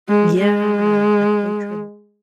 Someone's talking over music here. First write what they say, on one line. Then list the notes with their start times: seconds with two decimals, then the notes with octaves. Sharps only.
Yeah, that's so true.
0.09 G#3
0.37 G#3